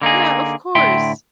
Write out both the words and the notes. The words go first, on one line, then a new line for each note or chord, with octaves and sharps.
Yeah, of course,
D3 A#3 D#4 G#4
D2 A2 D3 E5 G5 C6